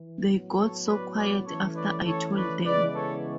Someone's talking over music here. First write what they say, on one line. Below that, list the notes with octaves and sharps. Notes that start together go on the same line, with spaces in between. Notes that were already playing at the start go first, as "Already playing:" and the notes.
They got so quiet after I told them.
Already playing: E3
A2 F#3 B3
A4 C#5
B4 D5
B4 D5
E3 A3 C#4 A4 C#5
B4 D5
A4 C#5
B4 D5
C#3 E3 G#3 B3 B4 D5
A4 C#5